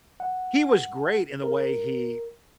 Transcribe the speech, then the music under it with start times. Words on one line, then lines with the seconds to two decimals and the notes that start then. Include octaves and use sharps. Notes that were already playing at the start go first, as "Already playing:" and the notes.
he was great in the way he
0.20 F#5
1.43 A#4